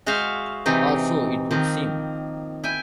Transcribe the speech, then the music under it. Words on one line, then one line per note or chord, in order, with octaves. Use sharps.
Or so it would seem.
G#3 F#4 C5 E5 F5
C3 E3 C4 D#4
D#3 F3 A#3 C4
E4 G5 G#5